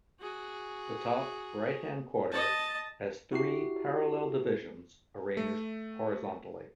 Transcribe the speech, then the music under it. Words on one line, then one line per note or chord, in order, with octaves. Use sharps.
The top right-hand quarter has three parallel divisions arranged horizontally.
F#4 G#4
D#5 A5
E4 F#4 G4 C7
A3